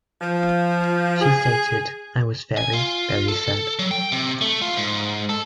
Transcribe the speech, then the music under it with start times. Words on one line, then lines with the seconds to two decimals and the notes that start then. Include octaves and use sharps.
She stated, I was very, very sad.
0.21 F3
1.20 G#4
2.58 G#5
2.73 F4
3.28 A4
3.79 F#3
3.91 G5
4.12 C3
4.41 A3
4.62 F4
4.77 G#2
5.29 A4